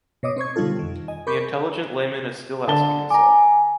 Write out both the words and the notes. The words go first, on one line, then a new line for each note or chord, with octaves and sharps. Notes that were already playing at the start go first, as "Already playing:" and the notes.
The intelligent layman is still asking himself.
B2 C#5 D#5 D6 D#6
C4 C5 C#6 G#6
B2 D3 G3 D#4 F4 A4
F2 D#3
D#5 G#5
A#4 B5 C#6 D6 G6
D3 A5 G7
G#5 A#5 D6